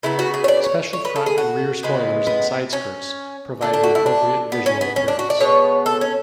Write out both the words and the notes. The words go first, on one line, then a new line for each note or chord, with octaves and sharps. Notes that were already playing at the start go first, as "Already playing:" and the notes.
Special front and rear spoilers and side skirts provide the appropriate visual appearance.
C#3 F#3 B3 E4
F#4
G#4
C#5
D5
C#5
C#5
B4
A4
G#4
F#4
C#3 G#3 B3
B3
C#4
D3 A3 D4
D4
F#4
E4
D4
B3
C#4
B3
C#4
D4
F#4
D5
B2 G#3 B3 C#5
A4
C#4